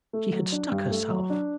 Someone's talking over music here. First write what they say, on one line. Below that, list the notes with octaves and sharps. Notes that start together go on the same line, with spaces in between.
She had stuck herself.
A3
F#3
D4
G2
A3
F#3
D4